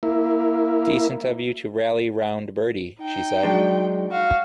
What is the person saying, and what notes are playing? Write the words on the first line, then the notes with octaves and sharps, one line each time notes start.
"Decent of you to rally round, Bertie," she said.
A#3 E4
D#4 G5
F#3 G#3 D4
F#4 F5